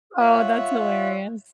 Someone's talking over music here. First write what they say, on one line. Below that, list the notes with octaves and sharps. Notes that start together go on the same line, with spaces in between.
Oh, that's hilarious.
F4 C#5 E5 F#5